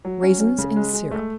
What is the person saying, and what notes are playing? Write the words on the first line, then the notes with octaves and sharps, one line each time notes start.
Raisins in Syrup.
F#3
C#4
C#4
C#3
G#3
G#3
A3